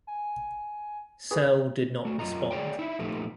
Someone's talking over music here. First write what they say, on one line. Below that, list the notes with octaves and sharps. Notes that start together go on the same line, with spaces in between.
Searle did not respond.
G#5
G#4 B4
A3 F#4
F#2 G3 F4 D#5 A#5
G#4 C#5 D5 G5
D#4 E4 E5
A#2 F3 A3 B3 D#4 G4